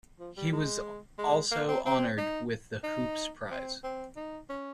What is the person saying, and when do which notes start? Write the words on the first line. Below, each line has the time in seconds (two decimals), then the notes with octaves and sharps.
He was also honoured with the Hoopes prize.
0.20 F3
0.37 G3
0.53 G#3
1.18 G#3
1.51 A#3
1.68 C4
1.85 C4
2.18 D#4
2.83 D#4
3.50 C4
3.84 C4
4.16 D#4
4.49 C#4